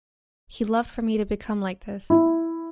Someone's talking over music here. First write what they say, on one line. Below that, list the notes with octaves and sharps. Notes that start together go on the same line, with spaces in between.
He loved for me to become like this.
E4